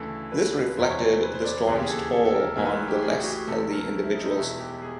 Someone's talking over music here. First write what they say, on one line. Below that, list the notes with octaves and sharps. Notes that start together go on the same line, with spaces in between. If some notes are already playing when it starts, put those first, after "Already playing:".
This reflected the storm's toll on the less healthy individuals.
Already playing: D2 C#3 E3 A4
B4
B4
B4
E1 E2 C3 E3 C5
C#5
C#5
C5
B4
C5
D5
D#2 C#3 E3 G#4
G4
G#4
A4
A4
A4
A#4
A1 A2 E3 A#4
B4
A#4
G4
G#4
F#4
G4
D2 C3 E3 A4
A#4
E4
D#4
D#4
E1 E2 B2 E4
G4
G#4